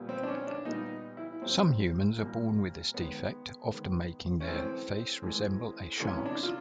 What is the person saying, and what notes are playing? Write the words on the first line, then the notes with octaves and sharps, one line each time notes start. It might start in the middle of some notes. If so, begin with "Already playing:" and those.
Some humans are born with this defect, often making their face resemble a shark's.
Already playing: A#2 G3 B3
C4
D4
C#4
D4
A#2 G3 B3 D#4
E4
A#2 G3 A#3 C4
A#2 G3 A#3
D#3 G#3 B3
D#3 G#3 B3
C#4
A2 E3 G#3 C4
A2 E3 G#3
C3 E3 G#3 B3 C#4
D4
F4